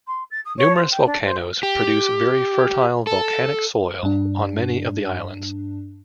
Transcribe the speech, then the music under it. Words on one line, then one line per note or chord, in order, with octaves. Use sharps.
Numerous volcanoes produce very fertile volcanic soil on many of the islands.
C6
A6
D#6
C#5
C5
G5
D4
C5
G4
A4
G2 D4